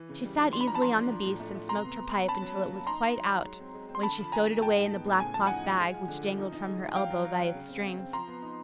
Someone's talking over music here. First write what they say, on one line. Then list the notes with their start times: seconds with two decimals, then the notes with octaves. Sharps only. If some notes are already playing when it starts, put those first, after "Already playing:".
She sat easily on the beast and smoked her pipe until it was quite out, when she stowed it away in the black cloth bag, which dangled from her elbow by its strings.
Already playing: E3
0.09 C#3
0.24 G3
0.39 E3
0.53 D4 C6
0.61 B5
0.68 F3 A#5
0.75 A5 B5
0.82 F3 A#5 C6
0.97 D4
1.11 F3
1.26 A2
1.40 A3
1.55 A3
1.69 C3 A#5 C6
1.84 B3
1.98 C3
2.14 B3
2.28 C#4 A5 B5
2.42 F#3
2.57 A#3
2.72 F#3
2.87 D#4 A#5 C6
3.01 D#4
3.16 F#3
3.30 F#3
3.46 G#3
3.60 C4
3.74 G#3
3.89 C4
3.95 C6
4.03 D3 A5 B5
4.18 F3
4.32 D3 G#5 A#5
4.48 G#3
4.62 A2 G5 A5
4.76 D#4
4.92 B3
5.06 A2
5.20 C#3 G#5
5.34 F3 A5
5.46 D#4 F#5 G#5
5.64 F3
5.79 G#3
5.94 F3
6.08 D3
6.23 F3
6.38 D#4
6.53 D#4
6.67 G#3
6.81 G#3
6.96 F#3 F5 G5
7.10 F#3
7.25 F#3
7.40 F#3
7.55 C#3
7.69 C4
7.84 C4
7.98 C4
8.13 F3 A#5 C6
8.28 B3
8.43 D#4